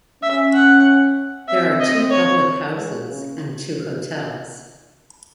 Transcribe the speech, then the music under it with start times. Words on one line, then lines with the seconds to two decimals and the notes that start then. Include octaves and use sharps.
There are two public houses and two hotels.
0.22 C#4 E5
0.54 F#5
1.48 C4 E5
1.80 D#5
2.11 C#5
2.73 G#3
3.05 C#3